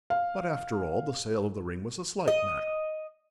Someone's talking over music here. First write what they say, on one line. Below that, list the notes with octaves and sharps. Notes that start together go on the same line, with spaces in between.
But, after all, the sale of the ring was a slight matter.
F5
D#5